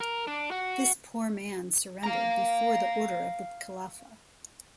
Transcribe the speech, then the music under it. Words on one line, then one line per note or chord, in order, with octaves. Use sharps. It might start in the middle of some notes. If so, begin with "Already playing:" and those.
This poor man surrendered before the order of the Khilafah.
A#4
D4
F#4
F5 A#5